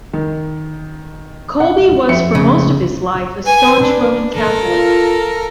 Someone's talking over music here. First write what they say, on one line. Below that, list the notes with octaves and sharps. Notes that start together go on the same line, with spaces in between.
Colby was for most of his life a staunch Roman Catholic.
D#3
F#5
F2 E5 C#7
C#3
B4 G#5
D4
A4 A#4
F4